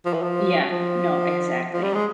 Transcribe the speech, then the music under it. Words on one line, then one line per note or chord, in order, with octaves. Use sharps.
Yeah, no, exactly.
F3
E3
F3
F3
F3
G3
G#3